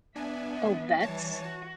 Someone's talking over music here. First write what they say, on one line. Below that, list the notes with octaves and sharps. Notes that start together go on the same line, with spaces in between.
Oh, vets?
B3 D4 E5 G#5
E3 G3 C#5 A5
F#4